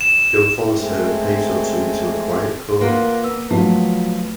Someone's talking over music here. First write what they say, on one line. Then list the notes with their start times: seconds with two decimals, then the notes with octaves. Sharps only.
Jo follows her a pace or two into a quiet court.
0.01 E7
0.74 G#3 A3 C4
2.81 A#3 F4 B4 F#5
3.24 B3 E6
3.51 F3 F#3 A3 B3